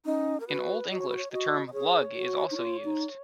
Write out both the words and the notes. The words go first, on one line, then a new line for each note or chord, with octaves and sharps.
In old English, the term "lug" is also used.
C#4 D#4
A#4
F#4 B4
F#4 D#5
C#5
B4
C#5
F#4 D#5
D#5
G#4 C#5
F#4
D#4
F4
D#4